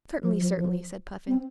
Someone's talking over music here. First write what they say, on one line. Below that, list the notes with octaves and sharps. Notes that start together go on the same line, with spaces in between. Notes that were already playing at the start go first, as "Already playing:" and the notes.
"Certainly, certainly," said Puffin.
F3
F3
F3
C4